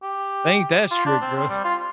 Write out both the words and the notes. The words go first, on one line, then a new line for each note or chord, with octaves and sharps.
they ain't that strict, bro.
G4
F4
D4
C4
C4
G3
F4